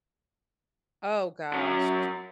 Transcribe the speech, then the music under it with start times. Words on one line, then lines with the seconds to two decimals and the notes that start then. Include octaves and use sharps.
Oh, gosh.
1.53 F#2 F#3